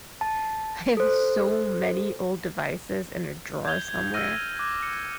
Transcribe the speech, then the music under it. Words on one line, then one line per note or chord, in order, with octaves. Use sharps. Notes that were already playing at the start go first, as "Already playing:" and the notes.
I have so many old devices in a drawer somewhere.
A5
A4 C5
G6 G#6 F7 G7
E6 F6 A#6 D#7
D6 F#6
C#7